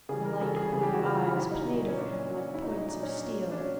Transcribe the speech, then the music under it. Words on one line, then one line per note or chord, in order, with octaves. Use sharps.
The light-blue eyes played over him like points of steel.
C#3 E3 G3 G#4
A#4
C#3 E3 G3 A4
G#4
C#3 E3 G3 G#4
G4
F#4
C#3 E3 G3 F4
F4
A#2 F#3 E4
D#4
A#2 F#3
C#4
A#2 F#3 D4
A#2 F#3
E4
A#2 F#3 D#4
D#4
A#2 F#3 D4
C#4
D4
A#2 F#3
D4
A#2 F#3 C#4